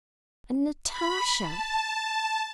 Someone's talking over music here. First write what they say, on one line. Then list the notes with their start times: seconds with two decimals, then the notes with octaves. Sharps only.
And Natasha!
0.86 B5
1.42 A5